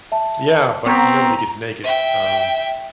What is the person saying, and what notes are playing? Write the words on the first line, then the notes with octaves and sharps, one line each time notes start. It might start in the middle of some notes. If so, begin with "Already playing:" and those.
Yeah, but nobody gets naked. Um
E5 A5
B3 C4 A#5 C#6 B6
E5 G5